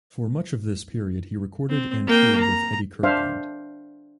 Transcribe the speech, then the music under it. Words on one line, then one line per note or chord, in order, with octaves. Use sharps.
For much of this period he recorded and toured with Eddie Kirkland.
C4
A#3 G5
A#5
D4 C5 E5 F5